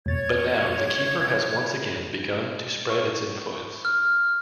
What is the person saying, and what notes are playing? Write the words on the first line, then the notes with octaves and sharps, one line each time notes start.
But now, the Keeper has once again begun to spread its influence.
E2 B2 C#5 G#6 A6
C#6
F6